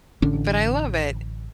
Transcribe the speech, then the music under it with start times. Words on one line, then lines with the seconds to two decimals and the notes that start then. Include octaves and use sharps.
but I love it.
0.22 A1 D3 C#4 D4